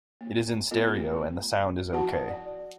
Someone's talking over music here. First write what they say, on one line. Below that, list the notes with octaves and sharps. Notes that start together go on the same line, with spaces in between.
It is in stereo and the sound is okay.
A#3
B3 F4 A4 D#5
A3
F3 E4 F#4 F#5 A5
D5